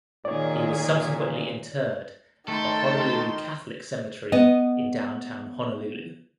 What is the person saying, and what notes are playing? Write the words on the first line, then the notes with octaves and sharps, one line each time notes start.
He was subsequently interred at the Honolulu Catholic Cemetery in downtown Honolulu.
A#2 D#3 G#4 C#5 D5
D#3 A3 A4 G5 C6
B3 D#5